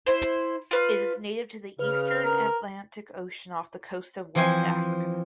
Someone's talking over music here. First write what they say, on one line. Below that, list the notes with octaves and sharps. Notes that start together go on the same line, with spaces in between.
It is native to the eastern Atlantic Ocean off the coast of West Africa.
E4 C5
F4 B4 F6
C#3 B4 F6
A#4
E3 F3 C4 C5 G#5